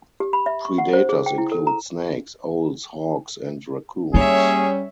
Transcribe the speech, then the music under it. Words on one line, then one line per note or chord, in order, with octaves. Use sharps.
Predators include snakes, owls, hawks and raccoons.
G4
B5
E5
C#6
F#5
C5
G#4
G5
E4
A4
A#5
G3 A#3 C#4 G#4 C#5 E5